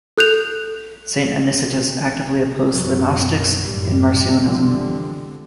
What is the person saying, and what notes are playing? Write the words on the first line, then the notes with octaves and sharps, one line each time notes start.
Saint Anicetus actively opposed the Gnostics and Marcionism.
A4 F#6 G6 F7
C2 F#2 B2 F#3 B3
F#1 F#2 A2 G3
D3 E3 F3 G3 G#3 C4